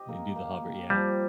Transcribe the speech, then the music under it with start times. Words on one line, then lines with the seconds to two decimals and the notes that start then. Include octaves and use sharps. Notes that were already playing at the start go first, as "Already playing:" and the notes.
And do the hover, yeah.
Already playing: G4 D#5
0.09 A#3
0.36 A#3
0.63 G4
0.90 F3 G3